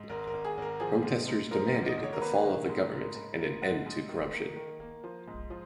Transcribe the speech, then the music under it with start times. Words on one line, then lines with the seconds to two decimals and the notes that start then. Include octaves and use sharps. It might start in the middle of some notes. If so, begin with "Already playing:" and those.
Protesters demanded the fall of the government and an end to corruption.
Already playing: G#2
0.09 G#1 A#4
0.27 A#4
0.33 G#1
0.45 G#4
0.57 G#1 A#4
0.80 F3 G#4
1.04 G#2
1.28 G#2
1.51 F3 A#4
1.74 G#1
1.86 D#5
1.98 G#1
2.03 C#5
2.13 A#4
2.21 A#3 B4
2.44 D#3
2.69 G#2
2.92 A#3
3.16 G#2
3.39 A#3
3.62 G#2 F#5
3.86 G#2
4.09 D#3
4.34 A#3
4.56 D#3
4.80 A#3
5.04 F3
5.28 G#2
5.50 F3